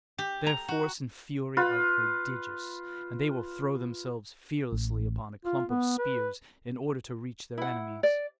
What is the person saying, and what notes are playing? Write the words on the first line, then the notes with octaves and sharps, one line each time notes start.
Their force and fury are prodigious, and they will throw themselves fearlessly upon a clump of spears in order to reach their enemies.
G4
A#5
F#4
F4 B4
A1
F4
B3
B4
E4 F#5
D5